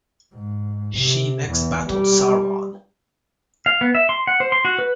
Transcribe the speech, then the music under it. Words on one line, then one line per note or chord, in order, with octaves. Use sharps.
She next battled Sauron.
G#2
C3
E2
G3
F5
B3
E5
C6
F#5
C5
C6
F#4
B4